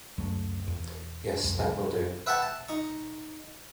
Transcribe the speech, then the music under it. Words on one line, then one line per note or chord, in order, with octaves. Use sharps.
Yes, that will do.
C#2 F#2 F#3 A3
E2
C2 F2
B4 E5 F#5 G5 A5 C#6
A5
D#4 C#6